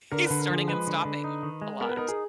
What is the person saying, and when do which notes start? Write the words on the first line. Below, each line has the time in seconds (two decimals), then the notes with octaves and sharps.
he's starting and stopping a lot.
0.12 D3 A#4
0.26 D3 B4
0.40 A#4
0.50 F3 G#4
0.68 G#3 B4
0.87 D3
1.05 D3
1.24 D#4
1.43 D#3
1.62 G#3
1.81 B3 A#4
1.89 B4
1.97 D#4 A#4
2.08 G#4